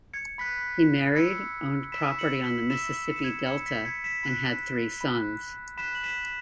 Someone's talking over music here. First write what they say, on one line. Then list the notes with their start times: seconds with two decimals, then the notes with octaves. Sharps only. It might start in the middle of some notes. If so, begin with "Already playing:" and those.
He married, owned property on the Mississippi Delta, and had three sons.
0.14 G#6 C#7
0.38 B5 F#6 B6
1.15 B5 E6 G#6 C#7
1.92 B5 E6 B6 E7
2.19 C#7 F#7
2.44 B6
2.70 B5 E6 B6 E7
3.08 C#7
3.16 E7
3.24 G#6 C#7
3.46 B5 E6 G#6 C#7
3.66 B6
3.85 G#6 C#7
4.04 B6 E7
4.23 B5 F#6 B6
5.01 B5 F#6
5.77 B5 F#6 B6 E7
5.95 F#7
6.03 B6 E7